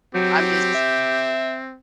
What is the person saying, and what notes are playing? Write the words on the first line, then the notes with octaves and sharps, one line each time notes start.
I'm just
F#3 C4 G4
E5